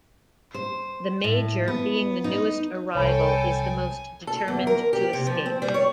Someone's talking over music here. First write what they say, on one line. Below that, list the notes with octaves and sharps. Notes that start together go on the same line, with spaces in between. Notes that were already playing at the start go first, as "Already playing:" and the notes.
The major, being the newest arrival, is the most determined to escape.
C5
A2
B3
D#4
C2 A4 C#5 G5 G#5 B5
A4
E2
A#4
G4
C3
F3
C4
G3
C#5